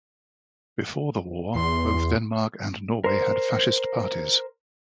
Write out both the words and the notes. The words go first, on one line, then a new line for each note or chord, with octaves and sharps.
Before the war, both Denmark and Norway had fascist parties.
E2 C6
A#4 C5